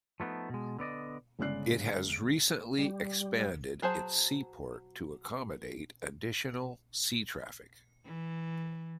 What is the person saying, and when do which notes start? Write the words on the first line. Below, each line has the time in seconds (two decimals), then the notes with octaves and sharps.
It has recently expanded its seaport to accommodate additional sea traffic.
0.20 F3 A3 B3 D#4
0.50 B2 G#3
0.79 D3 B3 D5 D#5
1.39 G1 C#3 G#3 D5 F#6 C7
2.78 G3
3.82 F#3 G#4 C5 A5
8.05 E3